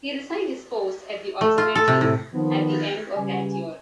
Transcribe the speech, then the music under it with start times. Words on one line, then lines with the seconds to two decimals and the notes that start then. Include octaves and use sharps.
He resigned his post at the observatory at the end of that year.
1.41 A3
1.58 F4
1.75 A4
1.88 C3
2.01 A2
2.34 D#3 F3 B3
3.17 C#3 G3 B4 G#5